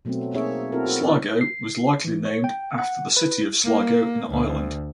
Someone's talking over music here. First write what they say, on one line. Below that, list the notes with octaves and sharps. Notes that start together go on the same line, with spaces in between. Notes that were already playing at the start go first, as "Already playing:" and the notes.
Sligo was likely named after the city of Sligo in Ireland.
B2 F#3 A3 B3 C4
A#3 C4 D#4 G#4 C#5 E5
C4 E4 F#4 A4 A#4
F#4
D4 A#4 B4 D5 E5
C7
E3
C#5
G5
F#5
B4
A#3
D2